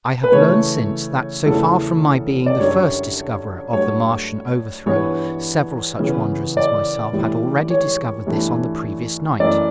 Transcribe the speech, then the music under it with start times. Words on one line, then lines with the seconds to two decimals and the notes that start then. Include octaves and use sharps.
I have learned since that, so far from my being the first discoverer of the Martian overthrow, several such wanderers as myself had already discovered this on the previous night.
0.24 B4
0.32 C#3 E3 A3 C#5
1.46 E2 C#3 E3 A3 A4
2.46 D5
2.60 F#2 D3 G3 C#5
3.73 G2 F#3 A3 C#5
4.86 G2 E3 B3 C#5
5.99 C#3 E3 B3
6.57 D5
7.13 A2 E3 G3
7.70 C#5
8.26 G2 E3 A3
9.40 F#2 E3 A3 D5